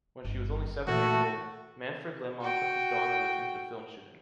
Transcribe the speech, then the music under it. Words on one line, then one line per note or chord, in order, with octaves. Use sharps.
When she was only seven years old, Manfred Lehmann took his daughter with him to film shooting.
G1
A#2 E3 A3 F#4 A4
F#4 G5